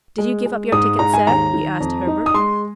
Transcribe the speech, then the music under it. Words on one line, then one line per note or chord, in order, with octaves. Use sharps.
"Did you give up your ticket, Sir?" he asked Herbert.
G#3
G#3
G#2 D#6
G#2 A#5
G#5
D#2 A#5
D#3
F2
D#4
D#6
G#3 C6